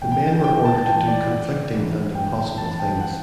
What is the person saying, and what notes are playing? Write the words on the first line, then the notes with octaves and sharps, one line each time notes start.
The men were ordered to do conflicting and impossible things.
A2 E3 G5
G5
G5
G5
A5
A2 E3 G5
D5
F#5
A2 E3
G5
A2 E3 A5
G5
F#5